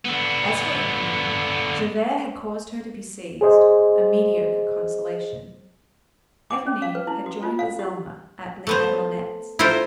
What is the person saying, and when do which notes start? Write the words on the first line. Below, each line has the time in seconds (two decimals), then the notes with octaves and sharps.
As for Eponine, Javert had caused her to be seized; a mediocre consolation. Eponine had joined Azelma at Les Madelonettes.
0.05 D3 B3
3.41 G#4 C5 D#5
6.51 D6
6.66 C#4
6.82 F5
6.95 B4
7.07 E4
7.26 F#4
7.43 F4
7.59 F5
7.79 G4
8.67 A3 B3 C5
9.59 E4 F4 A4 A#4 C5